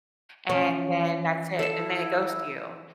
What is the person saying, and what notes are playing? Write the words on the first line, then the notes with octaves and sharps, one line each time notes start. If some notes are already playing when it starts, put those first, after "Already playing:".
and then that's it, and they ghost you.
E3 C#4
E4 A4 A5